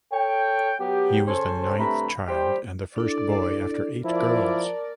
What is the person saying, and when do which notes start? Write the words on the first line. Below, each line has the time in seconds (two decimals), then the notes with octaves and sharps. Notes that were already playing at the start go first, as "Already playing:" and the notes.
He was the ninth child and the first boy after eight girls.
0.13 A4 C#5 G5
0.81 F#3 B3 G4
1.27 C#3 C#4 A4 C5
1.79 G2 C3 A3 A#5 B5
2.28 G3 G4 C5
2.96 D4 E4 A4 D5
4.05 F3 E4 A#4 D5 A5